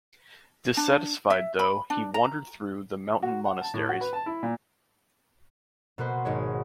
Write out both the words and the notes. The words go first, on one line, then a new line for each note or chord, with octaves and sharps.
Dissatisfied, though, he wandered through the mountain monasteries.
D4
E5
B5
D4
A#5
F#4
F#5
A5
A2
F#4
B4
A5
E4
A#2
B2 A#3 F#4 B4 C5
G#1 G#3 C#5